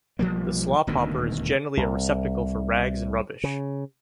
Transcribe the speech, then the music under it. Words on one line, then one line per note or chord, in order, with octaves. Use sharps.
The slop-hopper is generally a receptacle for rags and rubbish.
B1 F3 G3 A#3
D#1 D2 B2 D#3
C2
C#3